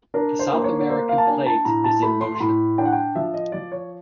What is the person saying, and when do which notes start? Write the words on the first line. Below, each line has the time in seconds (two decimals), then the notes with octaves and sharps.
The South American Plate is in motion.
0.14 D4 A#4
0.39 C5
0.51 A#3
0.60 C5
0.64 C#5
0.79 C#5
0.89 A#3 C5
1.09 F5
1.18 A5
1.27 D4 G#5
1.46 A5
1.65 A2 A#5
1.84 A5
2.02 A3 B5
2.21 C6
2.35 C6
2.40 A2 B5
2.78 D4 G5
2.85 F#5
2.93 G5
3.15 F3 E5
3.34 D#5
3.52 F3 D5
3.72 C#5